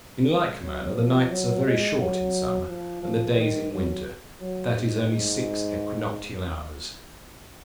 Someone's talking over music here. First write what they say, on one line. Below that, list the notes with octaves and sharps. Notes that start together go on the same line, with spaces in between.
In like manner the nights are very short in summer, and the days in winter, that is, only six equinoctial hours.
G#3
F#3
F3
F#3
G#3
F#3
F3
F3
D#3
F#3
F#3
G#2
G#2